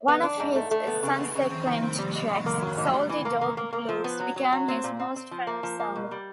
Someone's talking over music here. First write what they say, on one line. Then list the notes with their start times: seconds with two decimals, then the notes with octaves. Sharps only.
One of his sunsequent tracks, "Salty Dog Blues", became his most famous song.
0.08 B3
0.23 D4
0.40 G#2
0.56 A3
0.71 A3
0.87 B3
1.03 C#3
1.19 B3
1.35 C#3
1.50 C4
1.67 D#3
1.83 C4
1.99 G3
2.14 B2
2.30 B2
2.46 A#3
2.62 F#3
2.77 G#2
2.93 G3
3.09 E3
3.25 A#3
3.41 A#3
3.57 A#3
3.73 A#3
3.89 F3
4.04 B3
4.20 F#3
4.36 F#3
4.52 F#3
4.68 C4
4.84 A#2
4.99 C4
5.16 C4
5.31 F3
5.47 A#3
5.63 F3
5.80 A#3
5.96 B2
6.11 G3